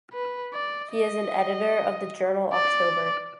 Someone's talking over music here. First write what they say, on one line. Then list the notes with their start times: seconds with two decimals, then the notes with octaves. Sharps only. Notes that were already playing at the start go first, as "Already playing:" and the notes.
He is an editor of the journal October.
0.13 B4
0.54 D5
0.93 D#5
2.53 D5